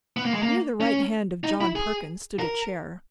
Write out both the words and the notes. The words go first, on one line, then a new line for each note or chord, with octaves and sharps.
Near the right hand of John Perkins stood a chair.
B3
A#3
G#3
A#3
C#4
D#4
E4
G#4
A#4